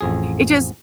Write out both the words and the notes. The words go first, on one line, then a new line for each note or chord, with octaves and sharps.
it just
A1 F2 G#4